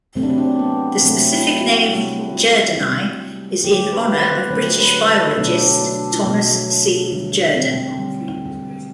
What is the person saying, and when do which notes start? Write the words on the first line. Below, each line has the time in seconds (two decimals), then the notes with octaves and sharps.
The specific name, "jerdoni", is in honor of British biologist Thomas C. Jerdon.
0.16 C3 F#3 A3 C4
0.23 D4
0.30 C4
0.38 D4
0.45 C4
0.59 B3
1.03 C3 F#3 A3 C4
1.32 E4
1.60 F#4
1.89 C3 G3
2.76 C3 G3
3.64 D3 F#3 A3 G4
3.93 B4
4.14 B4
4.21 C5
4.50 D3 F#3 A3 C5
4.80 B4
5.09 A4
5.37 B2 F#3 A3 D4
5.81 D4
6.24 B2 F#3 A3
7.12 D3 G3
7.54 C4
7.98 D3 G3